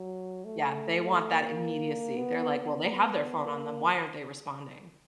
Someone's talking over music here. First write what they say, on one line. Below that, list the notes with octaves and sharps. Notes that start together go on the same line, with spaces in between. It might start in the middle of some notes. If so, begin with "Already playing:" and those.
Yeah, they want that immediacy, they're, like, "Well, they have their phone on them, why aren't they responding?"
Already playing: F#3
A3
A#3
B3
B3
A#3